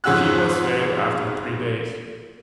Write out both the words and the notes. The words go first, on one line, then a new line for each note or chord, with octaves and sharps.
She was fed after three days.
F2 G#2 C#4 F#4 E6 F#6